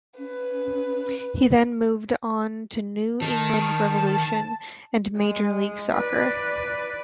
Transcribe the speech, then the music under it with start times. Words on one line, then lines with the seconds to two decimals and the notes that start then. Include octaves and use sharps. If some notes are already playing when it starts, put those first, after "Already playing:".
He then moved on to New England Revolution and Major League Soccer.
0.18 C#4 B4
3.22 D#3 A5
5.16 G#3
5.92 B4 D5